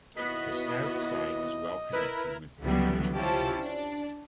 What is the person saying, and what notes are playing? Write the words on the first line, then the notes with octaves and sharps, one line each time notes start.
The South Side is well-connected with public transit.
D#2 B2 B3 E4 F#4 D#5 B6
E4 A#4 B4 B5
C#2 D3 E3 F#3 G3 B3
C#4 E4 F4 G4 C5 A5
D4